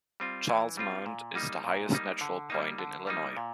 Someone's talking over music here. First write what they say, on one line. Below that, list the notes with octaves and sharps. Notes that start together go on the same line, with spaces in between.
Charles Mound is the highest natural point in Illinois.
G3 C4 F4
E3
G3 C4 F4
A#2
G3 A#3 D#4
A#2
G3 A#3 D#4
D3
G3 A#3 D#4
D3
G3 A#3 D#4
A#2